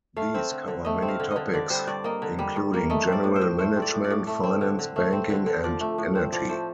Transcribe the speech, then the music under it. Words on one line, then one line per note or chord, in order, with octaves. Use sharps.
These cover many topics including general management, finance, banking and energy.
A3 F5
C4
D3
D3
A3 D#5
C4
F5
D3
D#5
D3
D3 D5
G3 C5
G2 D5
A#3 D#5
D3
G3
G2
A#3
A3 D#5
C4
D5
A2
C5
A2
A3 C5
C4
D5
A2
D5
A2
A3
C4
D3
D3
A3
C4
D3
D3
F3 D5
A3
A2
C4
F3 D5
A3 C5